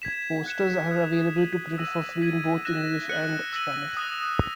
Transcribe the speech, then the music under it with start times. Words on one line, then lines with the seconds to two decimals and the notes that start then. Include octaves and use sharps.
Posters are available to print for free in both English and Spanish.
0.02 G#6 B6 E7
0.46 F#6 C#7 E7
0.89 D#6 F#6 C#7
1.34 G#6 D#7 F#7
1.78 E6 A#6 D#7 F#7
2.21 G#6 B6 D#7 F#7
2.65 F#6 A#6 E7
3.09 F#6 C#7 F#7
3.53 E6 A#6 D#7 F#7
3.97 D#6 F#6 A#6 E7